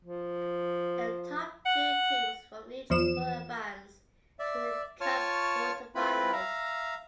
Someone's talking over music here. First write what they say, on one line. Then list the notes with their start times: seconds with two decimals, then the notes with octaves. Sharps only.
The top two teams from each pool advance to the Cup quarterfinals.
0.05 F3
1.65 F#5
2.90 E2 F3 E7
4.39 D5 E5
5.01 F4 C#5 A5 C#6 F6
5.95 C4 E4 F4 B4 B5
6.33 E5 F5 A#5